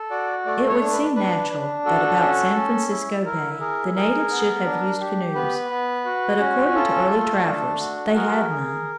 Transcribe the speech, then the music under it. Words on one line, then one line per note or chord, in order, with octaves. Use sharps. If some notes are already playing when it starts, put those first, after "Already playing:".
It would seem natural that about San Francisco Bay the natives should have used canoes, but, according to early travellers, they had none.
Already playing: A4
F#4 D5
A3 D5
C#5
D4
B4
D4 B4
D4
F#4 A4
C#4
C#4
E4
E4 A#4
G#4 A#4
G#4 A#4
B3
D4
G4
B3 B4
B3
F#4
C#4
F4 A4
A3
D4
F#4
G#4 A#4
G#4